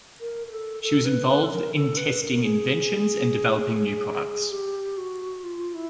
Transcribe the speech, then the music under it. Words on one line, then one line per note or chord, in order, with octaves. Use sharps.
She was involved in testing inventions and developing new products.
A#4
A#4
A4
A4
B4
B4
A4
A#4
A4
B4
A#4
G#4
G4
F#4
F4
E4